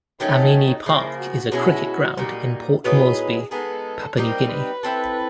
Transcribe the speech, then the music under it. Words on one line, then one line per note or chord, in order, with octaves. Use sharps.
Amini Park is a cricket ground in Port Moresby, Papua New Guinea.
D#3 F#3 A3 C#4 D#4
C#3 F3 A#3 E4
F#4
B2 G#3 C#4 E4
A#2 G3 A#3 D#4
A2 F#3 B3 D#4 G#4
G#3 B3 D#4 G#4 A4
G3 C4 D#4 A#4
B4
A3 C4 E4